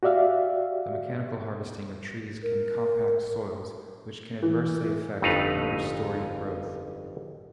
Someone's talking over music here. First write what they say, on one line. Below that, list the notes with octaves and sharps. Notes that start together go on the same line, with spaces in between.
The mechanical harvesting of trees can compact soils, which can adversely affect understory growth.
F#4 G4 D5 E5 F5
A#4
E3
G1 F2 A3 D#4 B4 F5